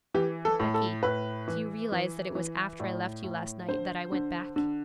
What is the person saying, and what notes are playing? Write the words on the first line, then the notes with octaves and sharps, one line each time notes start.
'And Becky, do you realize that it was after I left you last night that I went back?
E3 G4
A4
A2
A4
A2 B4
E3
E3
E3
A2 D5
A2
D3 C5
D3
D3